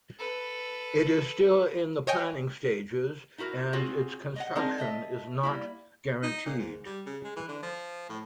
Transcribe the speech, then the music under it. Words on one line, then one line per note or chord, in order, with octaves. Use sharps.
It is still in the planning stages and its construction is not guaranteed.
A4 B4
C#5 D#5 G5 G#5
D#4 E4 F#4 A#4
C4 C#4 F4 F#4 G#4
D#5 F#5
G#3 C4 D4 D#4 G#4 A#4
A4 D#5 E5
G3 A#3 E4
D#4
A#2
G#2
G3
C#3
G#3
E3
D3
F3
A2